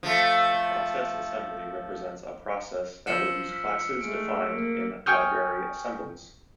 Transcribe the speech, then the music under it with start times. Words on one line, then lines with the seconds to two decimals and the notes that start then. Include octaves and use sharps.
A process assembly represents a process that will use classes defined in library assemblies.
0.03 F3 A3
3.07 F3 E6 C7 C#7
3.49 F6 B6
4.01 G#3 A3 D7
4.52 A#3
5.06 G5 G#5 C#6 D#6 F6 G6